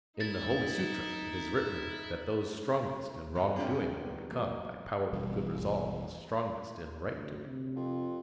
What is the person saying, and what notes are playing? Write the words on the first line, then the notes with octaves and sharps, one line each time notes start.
In the holy sutras it is written that those strongest in wrong-doing can become, by power of good resolve, the strongest in right-doing.
D#4 E4 A6
B2
D3 C4 C#4 F4 G4
D#3 G3 B3
D#2 F#3 A#3
G#1 E2 B2 G3
D2
C3
F2